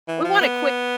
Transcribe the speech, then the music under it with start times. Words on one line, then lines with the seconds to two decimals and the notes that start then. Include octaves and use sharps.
We want it quick
0.08 E3
0.25 F3
0.41 B3